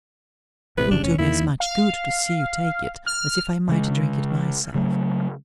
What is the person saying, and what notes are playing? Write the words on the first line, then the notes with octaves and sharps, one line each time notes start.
It will do me as much good to see you take it as if I might drink it myself.'
A1 A2 C3 B4
G1 C#3 G3 D4
F1 C#4
E2 D#3 A#3 E4
F5
F6
C#3 G#3
C#3 F#3 A3